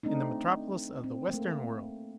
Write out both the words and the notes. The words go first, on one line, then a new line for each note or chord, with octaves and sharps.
In the metropolis of the western world!
A3 C4 D4 D#4
C4
A3 A#3